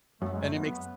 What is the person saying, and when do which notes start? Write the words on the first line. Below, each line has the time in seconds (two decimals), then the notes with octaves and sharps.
And it makes
0.21 F#2 A3
0.33 G#3
0.43 A3
0.54 B3
0.65 B3